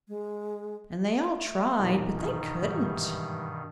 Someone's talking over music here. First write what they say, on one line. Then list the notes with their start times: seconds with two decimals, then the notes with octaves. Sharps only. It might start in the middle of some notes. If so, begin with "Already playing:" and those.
And they all tried, but they couldn't.
0.08 G#3
1.30 A3
1.79 B1 E2 A#2 D#4
2.16 G2 B2 D#3
2.62 G#2 E3 G3 D#4